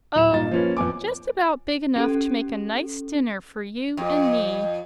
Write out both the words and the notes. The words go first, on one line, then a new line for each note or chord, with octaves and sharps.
"Oh, just about big enough to make a nice dinner for you and me."
D1 E7
G2 A#2 D#5 A6
F3 A#3 C#4 F4 B4
F2 B3 G#5 D6
C#4 G4 A4
F2